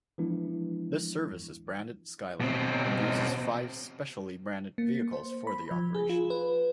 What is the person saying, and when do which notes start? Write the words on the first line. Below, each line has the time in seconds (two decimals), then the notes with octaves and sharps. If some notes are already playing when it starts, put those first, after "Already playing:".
This service is branded 'Skylink' and uses five specially branded vehicles for the operation.
0.18 E3 F3 G#3 B3 D4 E4
2.41 B2 C4
4.78 A#3
5.13 C5
5.47 B5
5.71 F3
5.95 G#4
6.09 F4
6.30 B4